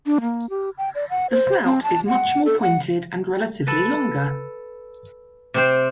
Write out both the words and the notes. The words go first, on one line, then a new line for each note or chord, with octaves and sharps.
The snout is much more pointed and relatively longer.
D4
A#3
G4
G5
D5
F#5
C5
C4
A5
F#5
A4
F#5
A4 B4
C3 C4 C5